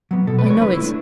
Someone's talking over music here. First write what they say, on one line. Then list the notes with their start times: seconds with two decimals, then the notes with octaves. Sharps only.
"I know it."
0.11 F#3 B3
0.27 B2 A4
0.39 B4
0.45 G#3 B3 D5
0.50 C#5
0.61 D3 B4
0.73 E4
0.78 A3
0.84 D4